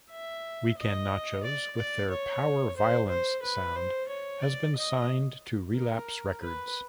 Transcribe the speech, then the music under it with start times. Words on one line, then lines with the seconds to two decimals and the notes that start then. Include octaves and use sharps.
Weekend Nachos, with their powerviolence sound, has been signed to Relapse Records.
0.11 E5
0.77 D#5
1.44 D5
1.77 D5
2.10 C#5
2.77 C5
3.09 C5
3.43 B4
3.76 C5
4.09 C#5
4.42 D5
4.76 D#5
5.75 A#4
6.41 B4